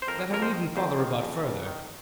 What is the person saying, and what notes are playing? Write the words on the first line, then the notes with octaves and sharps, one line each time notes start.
That I needn't bother about further....
C5
F2 A#4
F2 A#4
C5
D#3
F2 C5
D#3
F2
F2
D#3